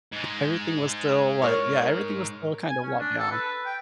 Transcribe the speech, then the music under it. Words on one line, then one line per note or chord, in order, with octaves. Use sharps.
everything was still, like Yeah, everything was still kinda locked down.
G#2 G#3
A#4 C#5
G#5
C#4
D4
A4
B4
G5